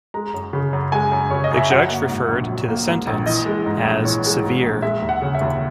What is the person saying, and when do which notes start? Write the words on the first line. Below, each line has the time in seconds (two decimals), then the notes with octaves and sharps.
The judge referred to the sentence as "severe".
0.14 G#3 A#5
0.34 F#2
0.53 C#3
0.73 F#2
0.92 G#3 G#5
1.12 F#2
1.30 C#3 C#5
1.44 D#5
1.51 F#2
1.57 E5
1.70 F#3 F#5
1.90 A#3
2.09 G#2
2.29 A#1
2.48 F#3
2.68 A#3
2.87 G#2
3.07 A#1
3.26 E3 D#5
3.46 G#3
3.66 G#2
3.85 A#1
4.05 E3 C#5
4.25 G#3
4.44 G#2
4.63 A#1
4.82 G#3 E5
5.02 D#2
5.09 F#5
5.22 C#3
5.35 E5
5.41 D#2